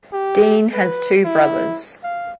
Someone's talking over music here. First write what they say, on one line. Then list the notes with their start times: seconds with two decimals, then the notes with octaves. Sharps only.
Dean has two brothers.
0.12 G4
0.73 B4
1.25 E4
2.03 F5